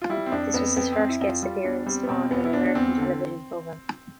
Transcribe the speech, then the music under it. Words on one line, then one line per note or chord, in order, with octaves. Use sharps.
This was his first guest appearance on an American television programme.
F4
G3 E4
C4
F2 D4
F2 B3
F2 B3
C4
F2
E4
F2
F4
G3 F4
E2 D4
G3 C4
B3
B2 C4
E2 B3
E4
E2 D4
D4
E2 C4
D3